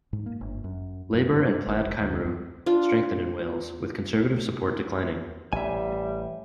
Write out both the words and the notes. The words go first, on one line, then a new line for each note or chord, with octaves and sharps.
Labour and Plaid Cymru strengthened in Wales, with Conservative support declining.
G#2
A#3
G1
F#2
F#2
G2
G#1
F1
D2
F#2
D4 F4
A1 G3 E5 G#5